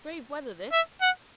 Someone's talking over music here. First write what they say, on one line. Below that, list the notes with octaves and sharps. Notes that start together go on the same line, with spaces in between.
Brave weather this!
E5
F#5